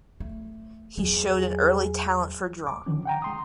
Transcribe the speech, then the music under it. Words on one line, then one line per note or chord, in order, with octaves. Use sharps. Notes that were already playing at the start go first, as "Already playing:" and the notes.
He showed an early talent for drawing.
A3
E2 F#3 G#4
D2 D6
D3 D#3 F3 C#4
F#5 G5 A#5
G#3 C6 D#6